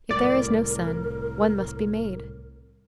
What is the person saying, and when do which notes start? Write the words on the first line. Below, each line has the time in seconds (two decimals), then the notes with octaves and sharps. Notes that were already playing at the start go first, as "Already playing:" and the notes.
If there is no sun, one must be made.
0.11 C2 A2 A#4 D5